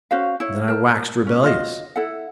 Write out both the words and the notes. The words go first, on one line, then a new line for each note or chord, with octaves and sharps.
Then I waxed rebellious.
C#4 F#4 C5 F5
E4 C#5
A#4 A5
C#4
F4 F#4 D#5
E4 A4 F#5